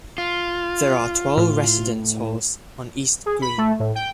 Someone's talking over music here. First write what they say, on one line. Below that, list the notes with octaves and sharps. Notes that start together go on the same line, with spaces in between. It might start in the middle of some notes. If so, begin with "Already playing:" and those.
There are twelve residence halls on East Green.
F4
A2
G#4
B5
A3
A2
G5